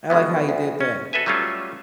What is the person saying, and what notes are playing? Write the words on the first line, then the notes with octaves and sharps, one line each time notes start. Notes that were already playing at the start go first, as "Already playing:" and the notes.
I like how he did that.
G1 B2 G#3 B3
D2
C#4
F#4 A4 B4 E5 G#5
F#3 G3 A3 C#4 F4